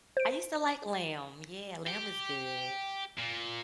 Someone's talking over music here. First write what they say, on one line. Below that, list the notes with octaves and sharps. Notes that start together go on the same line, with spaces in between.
I used to like lamb, yeah, lamb is good.
C5 D7
G4
A#2